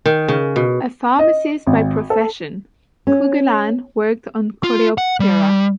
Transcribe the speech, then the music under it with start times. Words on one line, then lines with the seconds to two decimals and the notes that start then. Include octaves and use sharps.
A pharmacist by profession, Kugelann worked on Coleoptera.
0.06 D#3
0.28 C#3
0.56 B2
1.19 D#5
1.67 G#1
2.10 A4
3.07 C#4
4.64 F4
4.98 F#5
5.20 G3